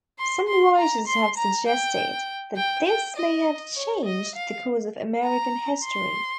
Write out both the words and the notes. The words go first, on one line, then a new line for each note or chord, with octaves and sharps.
Some writers have suggested that this may have changed the course of American history.
C6
C6
A#5
C6
A#5
G5
G5
G5
D#5
C#5
D#5
F5
A#5
C6